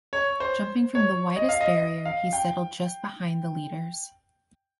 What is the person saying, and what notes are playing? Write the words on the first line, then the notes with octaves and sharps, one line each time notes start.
Jumping from the widest barrier he settled just behind the leaders.
C#5
C5
C#5
D#5
F5
D#5
D#5
F5
G5